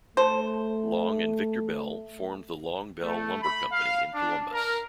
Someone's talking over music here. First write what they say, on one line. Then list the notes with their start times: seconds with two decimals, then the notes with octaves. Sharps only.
Long and Victor Bell formed the Long-Bell Lumber Company in Columbus.
0.17 A3 A4 C5
3.02 A3
3.42 B5
3.72 F5
4.14 D4
4.52 A#4